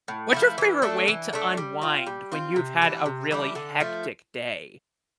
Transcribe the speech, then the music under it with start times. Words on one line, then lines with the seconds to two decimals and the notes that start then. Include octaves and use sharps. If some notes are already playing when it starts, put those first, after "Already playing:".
what's your favorite way to unwind when you've had a really hectic day?
0.08 A2
0.33 F3 A3 E4
0.58 E3
0.82 A3 D4 A4
1.08 E3
1.33 A3 D4 A4
1.57 G3
1.82 C4 F4
2.06 G3
2.32 C4 F4
2.56 C3
2.82 E3 G3 D4
3.06 C3
3.31 E3 G3 D4
3.55 D3
3.80 F3 A3